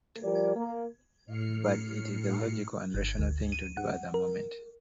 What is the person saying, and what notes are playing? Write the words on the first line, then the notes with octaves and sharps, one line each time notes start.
But it is the logical and rational thing to do at that moment.
F3 G3 G4 A#4 D5
A#3
A2 F6 C7 C#7
G1
D2
D#7
F#5
A#4